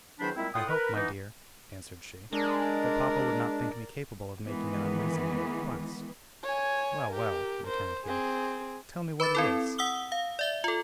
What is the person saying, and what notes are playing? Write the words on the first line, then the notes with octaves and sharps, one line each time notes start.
"I hope, my dear," answered she, "that papa would not think me capable of making an unreasonable request." "Well, well," returned he; "tell me what it is."
E2 D#3 F#3 D4 C5 B5
A#2 G3 G#3 C4 E4
A2 F4 F#5 G5 C6 D#6
A#4 B4
E3 B3 D#4
G#3 D4 A#4 D5
D#3 E3 G#3 B3
C#5 G#5
G4 A#4
A#4 C5
C4 G#4
B4 B5 D6 A6
C4 E4 A4
F#5 D#6 E6 G7
F5
D5 E5 G7
F4 A4